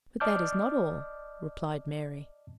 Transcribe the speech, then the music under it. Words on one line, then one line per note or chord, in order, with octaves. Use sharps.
"But that is not all," replied Mary.
D5 D#5 A5 D6 F6 G6